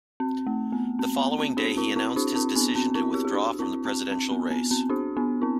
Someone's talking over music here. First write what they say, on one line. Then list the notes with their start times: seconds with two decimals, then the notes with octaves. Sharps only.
The following day he announced his decision to withdraw from the presidential race.
0.20 C4
0.47 A3
0.72 B3
0.99 C4
1.18 B3
1.38 C4
1.57 D4 F#4
1.77 C4 E4
1.96 C4 E4
2.16 D4 F#4
2.35 C4 E4
2.56 B3 D4
2.75 C4
2.95 C4 E4
3.13 E4 G4
3.25 G4
3.33 D4 F#4
3.59 C4 E4
3.85 C4
4.12 C4
4.31 B3
4.51 B3
4.71 C4
4.89 D4 F#4
5.17 B3 D4
5.42 C4 E4